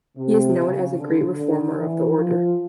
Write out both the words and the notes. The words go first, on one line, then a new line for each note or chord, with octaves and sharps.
He is known as a great reformer of the order.
C3
C#3
D3
D3
E3
F3